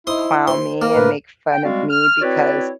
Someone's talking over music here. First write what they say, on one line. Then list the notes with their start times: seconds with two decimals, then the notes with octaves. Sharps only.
clown me and make fun of me because
0.07 D#4 E4 C5 C6 D#6
0.48 C5 C6
0.82 A#3 A#4
0.94 A2 C3 B4 C5
1.52 G5
1.64 G3 G#3 C4 F#4 D5 F5
1.90 F6
2.22 C4 E4 F#4 B4 C#5 D5